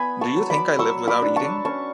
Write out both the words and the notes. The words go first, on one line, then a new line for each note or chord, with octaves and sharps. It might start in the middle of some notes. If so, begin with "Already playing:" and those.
Do you think I live without eating?
Already playing: B3 G#5 B5
A5 C#6
F#3
B5 D6
F#3 C#6 E6
B5 D6
D4
A5 C#6
C#4 A5 C#6